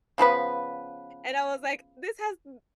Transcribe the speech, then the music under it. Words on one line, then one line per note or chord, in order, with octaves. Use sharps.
and I was like, "This has b
C#3 F3 B3 B4